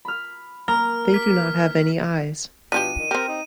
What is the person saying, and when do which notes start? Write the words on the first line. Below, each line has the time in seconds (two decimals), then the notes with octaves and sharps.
They do not have any eyes.
0.05 B5 F6
0.68 A#3 A#5 F6
1.14 D6 G#6 B6
2.72 B2 F3 D4 G4 D#7
2.98 D#3
3.11 C4 G4 A#4
3.28 D#4